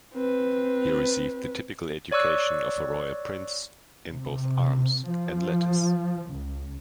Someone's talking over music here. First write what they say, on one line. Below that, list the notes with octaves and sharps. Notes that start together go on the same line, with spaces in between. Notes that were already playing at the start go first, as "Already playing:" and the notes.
He received the typical education of a royal prince in both arms and letters.
C4 B4
C#5 D5 C#6 E6 F#6
C3
F3
C#2